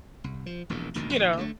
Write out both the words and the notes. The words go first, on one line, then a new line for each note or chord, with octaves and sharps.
you know?
C2
F3
E1 A#1 E2 A#2
E1 D2 A#2 D#3
A#1 D#3
D2 D3 E3 A3